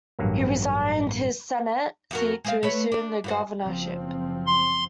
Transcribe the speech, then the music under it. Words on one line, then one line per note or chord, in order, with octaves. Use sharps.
He resigned his Senate seat to assume the governorship.
A1 G2 F#3 A#3
F2 F#4 A#4
G#3 C4 F5
A3 B4 C#5
D4
G2 F#4 C5
F#1 F3 C4
C6